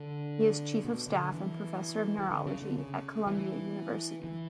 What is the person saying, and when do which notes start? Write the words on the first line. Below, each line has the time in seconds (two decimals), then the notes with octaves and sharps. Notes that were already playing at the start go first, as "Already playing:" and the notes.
He is Chief of Staff and Professor of Neurology at Columbia University.
Already playing: D3
0.84 B2
1.08 D3
1.32 E3
2.18 E3
2.30 D3
2.46 C#3
2.62 D3
2.78 C#3
3.27 E3
4.24 E3